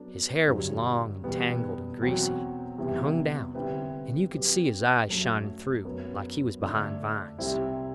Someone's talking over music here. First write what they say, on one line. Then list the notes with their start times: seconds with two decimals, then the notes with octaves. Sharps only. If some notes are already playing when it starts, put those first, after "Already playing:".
His hair was long and tangled and greasy, and hung down, and you could see his eyes shining through like he was behind vines.
Already playing: F#3 B3 D4 A4
0.48 G2 D3 F#3
1.24 E2 B2 G3 B3
2.02 E2 B2 F#3 C4 F#4
2.78 E2 C3 G3 B3 E4
3.55 D3 G3 C4 E4 B4
4.32 F#3 C4 G4 B4
5.08 F#2 F#3 A3
5.85 F#2 F#3 B3
6.62 D3 A3 D4
7.38 C2 C3 G3 C4 E4